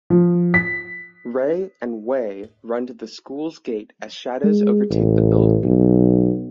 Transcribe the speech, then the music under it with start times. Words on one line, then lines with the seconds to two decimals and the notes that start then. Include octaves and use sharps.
Ray and Wei run to the school’s gate as shadows overtake the building.
0.10 F3
0.54 B6
4.44 G#3
4.90 A1
5.64 B1